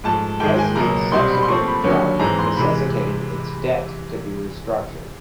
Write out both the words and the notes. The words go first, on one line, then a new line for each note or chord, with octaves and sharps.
Prices subsequently dropped, necessitating its debt to be restructured.
G#2 F3 A3 A5
G#2 D#3 G#3 G5
G#5
C#2 B2 F#3 A#3 A#5
C2 B2 G3 C4 C6
B5
C6
A#2 F3 A3 C4 C#6
B5
D#2 D3 F#3 A#3 C#4
G#2 E3 G#3 C4 A#5
C6
C3 E3 G#3 B5